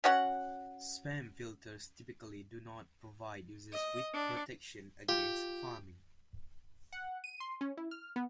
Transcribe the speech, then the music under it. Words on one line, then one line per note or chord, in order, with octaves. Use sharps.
Spam filters typically do not provide users with protection against pharming.
C#4 F#4 C#5 F#5
D#5
D4
F4 G4
F#5
D#7
C6
C#4
E4
F6
B3